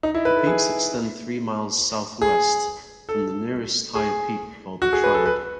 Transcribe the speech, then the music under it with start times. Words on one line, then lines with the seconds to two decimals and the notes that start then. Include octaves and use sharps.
The peaks extend three miles southwest from the nearest higher peak called The Triad.
0.03 D#4
0.14 E4
0.25 B4
0.36 A4
0.47 G#4
2.22 G#4
3.09 A4
3.95 G#4
4.82 F#4
4.93 G#4
5.04 B4
5.14 A4
5.26 B4